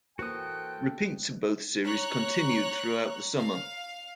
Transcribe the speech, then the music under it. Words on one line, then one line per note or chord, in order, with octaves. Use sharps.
Repeats of both series continued throughout the summer.
E3 A#3 F#4 A4 C5 G5 D#6 F#6
C#5 A#5 F#6
F5